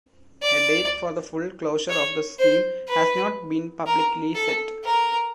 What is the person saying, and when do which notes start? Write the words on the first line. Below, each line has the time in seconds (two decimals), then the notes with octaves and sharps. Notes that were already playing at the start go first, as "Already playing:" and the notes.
A date for the full closure of the scheme has not been publicly set.
0.43 D5
1.89 C#5
2.39 C5
2.88 B4
3.86 A#4
4.35 A4
4.85 A#4